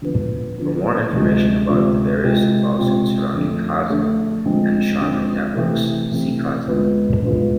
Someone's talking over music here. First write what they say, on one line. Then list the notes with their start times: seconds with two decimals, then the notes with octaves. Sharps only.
For more information about the various lawsuits surrounding Kazaa and Sharman Networks, see Kazaa.
0.02 D3 F3 B3
0.57 D3 F3 B3
1.12 D2 C3 G#3 D4 F4
1.68 D2 C3 G#3 D4 F4
2.23 C3 G#3 C4 F4
2.78 C3 G#3 C4 F4
3.34 F2 D3 A3 D4
3.90 F2 D3 A3 D4
4.45 D3 F3 G#3 C4 F4
5.00 D3 F3 G#3 C4 F4
5.56 C3 E3 A3 C4
6.11 C3 E3 A3 C4
6.67 D2 D3 G#3 B3 F4
7.22 D2 D3 G#3 B3 F4